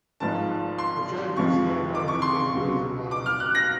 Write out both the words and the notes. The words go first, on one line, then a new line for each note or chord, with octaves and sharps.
The charity's head office is based in London.
G#1 G#2 F3 G#3 A5
C6
F2 C3 F3 G#3 C#6
D6
C#6
C6
C#6
C#2 B2 F#3
D6
F6
F#6
A#6